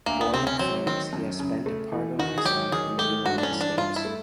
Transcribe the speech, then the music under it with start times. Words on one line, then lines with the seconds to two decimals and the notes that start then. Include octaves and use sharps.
Born in France, he has spent a part of his life in the United States.
0.06 D2 A#3
0.21 B3
0.33 C3 C4
0.47 C#4
0.59 F#3 C4
0.86 D#3 C4
1.13 F#2
1.39 C#3
1.66 A3
1.92 E3
2.19 D#3 F#4
2.38 G#4
2.45 F#3 G4
2.72 D#3 G#4
2.98 A3 G4
3.25 G2 F#4
3.38 D4
3.43 C#4
3.51 E3
3.61 D4
3.77 G2 F4
3.96 E4
4.05 A3